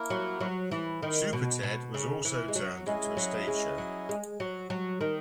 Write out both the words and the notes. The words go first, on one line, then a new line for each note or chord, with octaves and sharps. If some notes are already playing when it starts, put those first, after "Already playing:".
Superted was also turned into a stage show.
Already playing: A#3 E4 A#4
F#3
F#3
E3
D#3
B2
B2
C#3
E3
G#3
F#3
G#3 C#4 E4 G#4 D#5
F#3
G#3
F#3
G#3
F#3
F#3
D#3